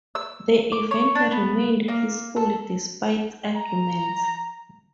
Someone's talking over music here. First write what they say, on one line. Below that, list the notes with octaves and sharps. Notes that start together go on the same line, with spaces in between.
The event remained peaceful despite arguments.
E6
D6
C#5
D4
B3
A#3
A4
A#5